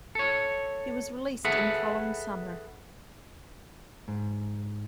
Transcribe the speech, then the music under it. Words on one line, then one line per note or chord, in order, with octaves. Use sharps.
He was released in the following summer.
A4 C#5
G#4 A4 B4 E5 F#5
G#2